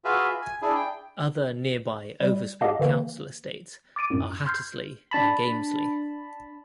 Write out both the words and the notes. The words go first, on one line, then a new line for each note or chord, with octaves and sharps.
Other nearby overspill council estates are Hattersley and Gamesley.
F4 F#4 G#4 B4 E5 F5
G#5
D4 E4 G#4
G5
G3
G4 G#4 D#5 F5 F#5 A5
D3 E3 A#3
D6 A6 D7 D#7
F#2 A2
C6 F6 G6 G#6 C7
D4 A5 B5